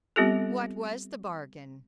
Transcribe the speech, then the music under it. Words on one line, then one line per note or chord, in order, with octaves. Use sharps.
"What was the bargain?"
G3 B3 C4 F4 G4 A4